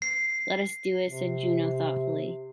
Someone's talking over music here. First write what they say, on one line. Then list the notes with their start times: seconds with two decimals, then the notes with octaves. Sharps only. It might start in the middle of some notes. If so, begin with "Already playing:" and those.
"Let us do it," said Juno thoughtfully.
0.02 C7
1.04 C3